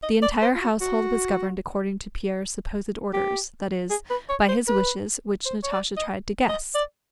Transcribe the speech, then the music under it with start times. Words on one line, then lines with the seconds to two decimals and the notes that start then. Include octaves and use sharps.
The entire household was governed according to Pierre's supposed orders, that is, by his wishes which Natasha tried to guess.
0.03 D#5
0.22 D5
0.42 C5
0.55 F4
0.61 F#4
0.81 F#4
3.13 G4
3.90 G#4
4.10 B4
4.29 C#5
4.48 C5
4.68 B4
5.46 C5
5.63 C#5
5.71 D5
5.97 D#5
6.49 D#5
6.75 D5